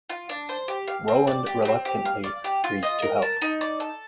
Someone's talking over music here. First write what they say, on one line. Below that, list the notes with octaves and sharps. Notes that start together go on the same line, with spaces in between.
Roland reluctantly agrees to help.
F4
D4
C5
G4
F5
C4
D5
G4
C4
G4
F5
D5
G4
F4
D#5
A#4
A5
D#4
D5
A4